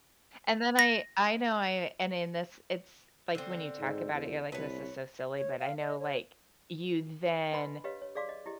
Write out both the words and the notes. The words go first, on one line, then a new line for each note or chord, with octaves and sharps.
and then I I know I and in this, it's like, when you talk about it, you're like, “This is so silly,” but I know, like, you then
A#6
D3 C4
G#2
E2
C2 B4 C#5
C#5
F5
D#5
C#5
D4 B4 D#5 B5 C6
G4 B4 C#5 D#5 F5
C#5
G#4 D5 F5 C6 D6
D#5
E4 G4 D#5